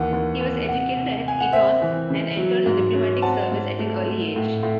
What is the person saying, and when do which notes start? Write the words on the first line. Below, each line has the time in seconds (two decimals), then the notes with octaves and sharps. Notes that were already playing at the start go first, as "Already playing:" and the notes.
He was educated at Eton and entered the Diplomatic Service at an early age.
Already playing: D#2 E3 F#5
0.12 D#2
0.40 D#2
0.69 C3 F#5
0.97 C3
1.25 C3 G#5
1.41 F#5
1.52 C4 E5
1.81 E3
2.10 C#3
2.37 F#3
2.66 G#2
2.94 C#4
3.22 C4 F#5 A5
3.51 G#2
3.79 A3
4.06 A3
4.36 A2
4.63 A2